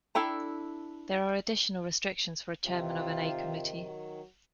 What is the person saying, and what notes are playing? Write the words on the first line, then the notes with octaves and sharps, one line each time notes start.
There are additional restrictions for a chairman of an A Committee.
D4 E4 A4 G5 A#5
C3 D#3 F4
F#3